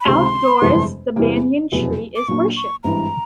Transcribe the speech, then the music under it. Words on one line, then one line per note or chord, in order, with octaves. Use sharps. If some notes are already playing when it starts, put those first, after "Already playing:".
Outdoors, the banyan tree is worshiped.
B5
C#2 C3 D#3 G#3 C6
G1 F2 C3 E3 G#3
E2 C3 E3 G3 A#3
F1 E2 B2 F#3
D6
A#2 F#3 A#3 D4 C#6
C#6
G#1 G2 E3 A#5